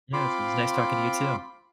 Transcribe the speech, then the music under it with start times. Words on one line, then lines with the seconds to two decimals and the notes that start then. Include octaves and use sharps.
Yes, it was nice talking to you too.
0.13 C4 F4 F5 B5 C6 D6